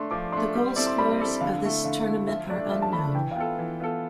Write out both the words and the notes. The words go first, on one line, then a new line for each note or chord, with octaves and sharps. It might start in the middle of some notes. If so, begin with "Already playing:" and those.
The goalscorers of this tournament are unknown.
Already playing: A3 D4 C6
F3 D6
A3 D4 C6
G3
C4 E4 A4 D5
C6
G3 B5
C4 E4 A4 D5
D3 F5
A3 E4
D3 F5
A3 E4
F3 E5
A3 D4 D5
F3 E5
A5
A3 D4 B5
A5
E3 G5
F5
B3 F4 A4 G5
E3
B3 F4 A4